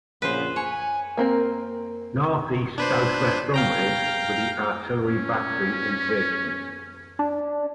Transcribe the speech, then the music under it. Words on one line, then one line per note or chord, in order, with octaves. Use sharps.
Northeast-southwest runways, were the artillery battery emplacements.
A#1 C#3 B3 B4 C5
C#5 G#5
A#3 C4 A#4
D4 B4 C5
F5 G5 A#5
C#4
D4